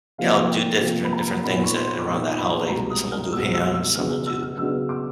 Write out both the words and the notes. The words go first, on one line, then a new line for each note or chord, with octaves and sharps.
you know, do differen different things eh around the holiday. And then some will do ham, some will do,
C3 F3 A#3 F5
G5
C3 F3 A#3
B5
A#5
A#2 G3 B3 D#4 B5
C#6
C6
D6
A#2 G3 B3 D#4 C#6
B5
C2 B2 G#3 A#5
D#6
F6
C2 B2 G#3 E6
E6
E6
C#3 F#3 B3 D4 F6
F6
E6
F6
C#3 F#3 B3 D4 E6
D6